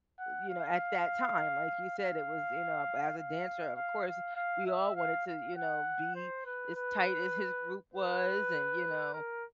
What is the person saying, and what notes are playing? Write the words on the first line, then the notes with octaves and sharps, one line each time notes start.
you know, at that time, like you said, it was, you know, as a dancer, of course, we all wanted to, you know, be as tight as his group was and, you know,
F#5
F5
F5
F5
F5
F5
F5
E5
F5
F5
F#5
C5
B4
B4
B4
A#4